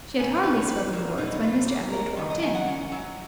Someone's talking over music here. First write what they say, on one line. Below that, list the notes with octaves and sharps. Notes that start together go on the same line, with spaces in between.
She had hardly spoken the words when Mr Elliot walked in.
B2 G#5
A#5
D#4 B4
C#5
A#3 B4
F#3 A#4
B2 D#4
D#4
D#4 F4
A#3
F#3 A#4
D#3 B4
D#5
D#3 G#5
F#5
C#4
F#3